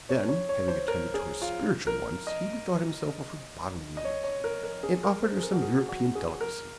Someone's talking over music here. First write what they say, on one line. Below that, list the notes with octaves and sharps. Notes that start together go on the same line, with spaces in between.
Then having attended to her spiritual wants, he bethought himself of her bodily needs, and offered her some European delicacies.
C#5
C#5
C#5
C5
A#4
G#4
F4
A#4
D#5
D#5
C#5
C#5
A#4
A#4
G#4
A#4
C5
G#4
A#4
F#4
G#4
F#4
G#4
A#4